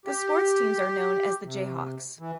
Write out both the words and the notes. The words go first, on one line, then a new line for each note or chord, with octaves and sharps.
The sports teams are known as the Jayhawks.
G4
C3
E3